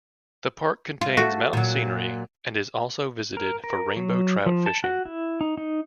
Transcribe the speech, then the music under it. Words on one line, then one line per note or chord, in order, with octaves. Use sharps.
The park contains mountain scenery and is also visited for rainbow trout fishing.
F4
A3 F#4
A#2 F#3
A#4
A#4
F#3
F3
A5
F#4
E4
D#4
D#4